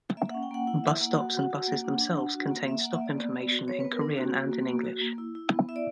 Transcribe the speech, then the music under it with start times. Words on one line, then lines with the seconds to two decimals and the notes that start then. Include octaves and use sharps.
Bus stops and buses themselves contain stop information in Korean and in English.
0.17 A#3 E5
0.30 C#4 F#5
0.43 G5
0.51 A#3 F#5
0.67 E4 F#5
0.84 E4 E5
1.01 A#3 F#5
1.18 F#4 F#5
1.34 F#4
1.50 F#4
1.67 A#3
1.84 D4
2.01 D4
2.18 D4
2.34 F#4
2.51 A#3
2.68 A#3 E5
2.81 A#3 F#5
2.93 E5
3.01 A#3 D5
3.18 B3
3.35 B3
3.51 F#4
3.68 B3 C#5
3.80 B3 B4
3.93 A#4
4.01 D4
4.18 A#3 F#4
4.35 A#3
4.52 A#3
4.68 A#3
4.84 F#4
5.01 A#3
5.18 E4
5.35 E4
5.51 B3
5.69 E4 E5
5.76 D5